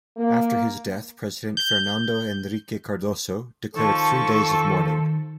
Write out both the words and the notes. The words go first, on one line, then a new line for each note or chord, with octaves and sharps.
After his death President Fernando Henrique Cardoso declared three days of mourning.
A#3
G6
D#3 F3 A4 C#6